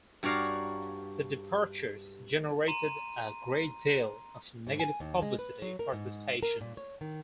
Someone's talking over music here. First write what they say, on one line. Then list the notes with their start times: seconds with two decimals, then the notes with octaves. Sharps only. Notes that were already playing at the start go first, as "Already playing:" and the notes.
The departures generated a great deal of negative publicity for the station.
0.23 G2 F#4 C#5 D5 F5 A#5
2.68 A#5 C6 D#7
4.67 G#2
4.80 G#5
5.00 D#2
5.22 G#3
5.39 B4
5.62 F#3
5.79 A#4
5.93 G#2
6.43 A#4
6.61 A#2
6.77 C#5
7.01 D#3